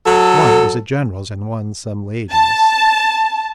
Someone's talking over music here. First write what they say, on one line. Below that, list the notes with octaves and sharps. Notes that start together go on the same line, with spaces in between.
One was a general's and one some lady's.
F#3 A4
A5